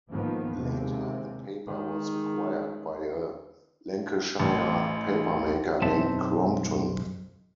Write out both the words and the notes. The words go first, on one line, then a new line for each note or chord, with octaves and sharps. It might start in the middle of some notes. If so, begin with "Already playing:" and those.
Later the paper was acquired by a Lancashire papermaker named Crompton.
G#2 D#3 F3 A#3 B3
D#2 C3 G#3
D#3 G#3
A1
B1 F#2 C4 D#4 E5 A5